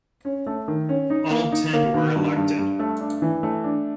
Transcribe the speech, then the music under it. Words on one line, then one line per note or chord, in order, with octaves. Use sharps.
All ten were elected.
C#4
A3
D#3
C#4
D#4
A#3
D#4
A#3
D#3
G2
G2
G2
A3
D4
E3
A3
D4